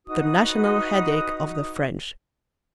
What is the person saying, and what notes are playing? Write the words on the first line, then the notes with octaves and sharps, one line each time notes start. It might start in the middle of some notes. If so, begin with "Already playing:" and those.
The national headache of the French.
D#4 F#4 B4 D#6